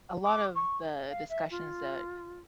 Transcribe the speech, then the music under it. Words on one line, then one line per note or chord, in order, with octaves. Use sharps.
the, uh, a lot of the discussions that,
D6
C#6
F5
E5
F4